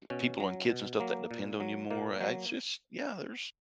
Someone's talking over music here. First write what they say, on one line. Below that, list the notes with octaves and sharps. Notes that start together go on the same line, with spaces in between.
people and kids and stuff that depend on you more, I it's just, yeah, there's
B2 C#4
F#3
B2
F#3 A#3
A#2
F#3
A#2 A#3
F#3